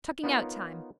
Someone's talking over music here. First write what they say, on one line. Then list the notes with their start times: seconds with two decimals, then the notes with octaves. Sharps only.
Chuckingout time.
0.24 B3 D#4 F4 A#4 C#5